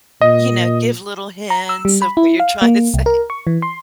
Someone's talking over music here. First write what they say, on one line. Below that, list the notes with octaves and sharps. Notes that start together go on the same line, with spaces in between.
you know, give little hints of what you're trying to say?
A#2 D#5
A#5
E6
G3
B5
E4
F5
A#3
C2
A#4
C#6
E3
C6